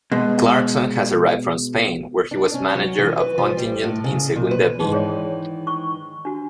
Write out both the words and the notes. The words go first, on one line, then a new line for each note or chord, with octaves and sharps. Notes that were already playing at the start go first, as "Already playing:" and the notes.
Clarkson has arrived from Spain where he was manager of Ontinyent in Segunda B.
B2 G#3
D4
C#4
F#3
E3
B4
F3
G3
A2
C#3
A#2
B4
G#2 D#3 E3 D#4 G#4 C6
G#4 C#5 D5
C#6
D4 F#4